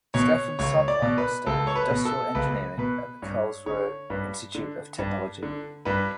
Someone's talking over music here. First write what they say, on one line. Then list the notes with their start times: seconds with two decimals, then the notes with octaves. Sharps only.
Steffen Sontheimer studied industrial engineering at the Karlsruhe Institute of Technology.
0.14 B2 C#5
0.59 C#2 C#5
0.88 D5
1.02 B2
1.18 B4
1.46 C#2 A4
1.67 C#5
1.75 B4
1.91 B2
2.05 A4
2.35 C#2 B4
2.78 B2 B4
3.22 G2 C#5
3.66 D3 C#5
4.10 G2 B4
4.55 D3
4.99 G2
5.43 D3
5.85 G2 B4